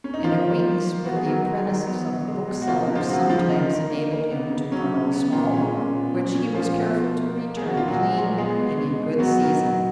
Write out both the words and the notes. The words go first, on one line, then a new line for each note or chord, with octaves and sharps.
An acquaintance with the apprentices of the booksellers sometimes enabled him to borrow a small one, which he was careful to return clean and in good season.
C#4
D#4
D#3 F3 F4
D#3
A#3
A#3
B3 F#4
G#4
D#3 F#3 F#4
G#3
D#3
B3
B2
G#3
B2
F#4
F3 A#3 F4
D#4
C#3
F3 F4
F3 F#3 F#4
C#3 F3 F4
D#3 D#4
D#3
A#3
A#3
B3
C#3
F#3 C#4
C#3
B3
A#2
G#3 C#4
A#2
B3
A#2
F3 C#4
A#2 F3 F4
B2
B2
A#3
A#3
B3 G#4
F#4
A#2 F4
F#3 F#4
F3
A#2
G#3 B3 G#4
B2
G#3
B2
F#3 B3 F#4
D#3
F#3